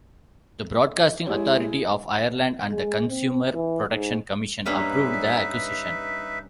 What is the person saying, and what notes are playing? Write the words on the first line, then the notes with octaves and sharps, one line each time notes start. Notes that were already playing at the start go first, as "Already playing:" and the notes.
The Broadcasting Authority of Ireland and the Consumer Protection Commission approved the acquisition.
G#3 E4 G4 G#4 C#5
G#3
C4
E3
G#2
G2 A#3 C#4 D#4 B4 E5